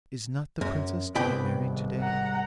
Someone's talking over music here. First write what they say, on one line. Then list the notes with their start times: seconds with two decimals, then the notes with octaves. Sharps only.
'Is not the princess to be married to-day?'
0.61 F#2
1.15 C2 G2 B3 G5 B5
1.62 G#1
2.00 F#5 A#5